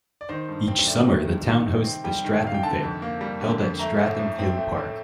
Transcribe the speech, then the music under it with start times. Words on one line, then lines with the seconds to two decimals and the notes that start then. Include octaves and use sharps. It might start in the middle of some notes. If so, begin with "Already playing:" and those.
Each summer the town hosts the Stratham Fair, held at Stratham Hill Park.
0.21 D5
0.29 D#3 C5
0.49 G2
0.68 C4
0.87 A3 D5
1.06 D#3
1.26 G2
1.46 D#3
1.66 C3
1.84 C4
2.04 G3 G5
2.24 D#3
2.43 C3 F5
2.54 G5
2.63 D3 A5
2.83 F2
3.02 A#3
3.21 G3
3.41 D3
3.60 F2
3.79 A3 A#5
3.99 A2
4.19 A2
4.39 C4
4.57 A3
4.77 A2